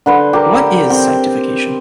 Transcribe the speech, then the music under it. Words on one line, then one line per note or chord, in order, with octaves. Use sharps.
What is sanctification?
D3 B4 C5
G4 A#4
C4